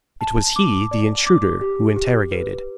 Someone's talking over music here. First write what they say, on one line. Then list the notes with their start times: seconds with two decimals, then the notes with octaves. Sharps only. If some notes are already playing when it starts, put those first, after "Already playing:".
It was he, the intruder, who interrogated.
0.21 A5
0.56 D6
0.91 D5
1.27 D6
1.61 G4
1.96 G4
2.32 B4